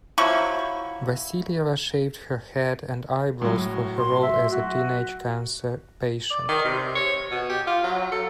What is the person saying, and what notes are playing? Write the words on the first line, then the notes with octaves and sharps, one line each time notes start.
Vassilieva shaved her head and eyebrows for her role as a teenage cancer patient.
F3 F#3 E4 C#6
A2 F#3
C6
E5
F#4
D5
D#3
C3
C#5
B2
G4
F4
F#3
A4